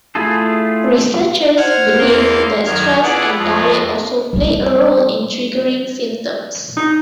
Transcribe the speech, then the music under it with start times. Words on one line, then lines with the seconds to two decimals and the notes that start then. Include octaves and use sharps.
Researchers believe that stress and diet also play a role in triggering symptoms.
0.15 A3 E4 F4 G#4 A4
1.57 C5 F#5 G#5 F6
1.98 E2 A#3 A#4 F5 C6 G6
2.66 F#2 D#3 F6 G#6
3.02 B3 E4 F4 G#4 D5 F#5
3.37 F2 G#3 F4
4.33 G3 C#4
6.77 D#4